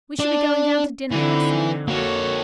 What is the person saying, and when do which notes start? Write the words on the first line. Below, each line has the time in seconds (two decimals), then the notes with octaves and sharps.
"We shall be going down to dinner in less than an hour."
0.19 D4 D5
1.11 D3 E3 C4 D#4
1.88 A#3 F#4 A4 C#5